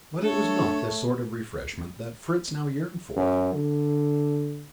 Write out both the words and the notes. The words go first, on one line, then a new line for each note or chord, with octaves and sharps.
But it was not this sort of refreshment that Fritz now yearned for.
A3 D4 A4 C#5
F#2
D3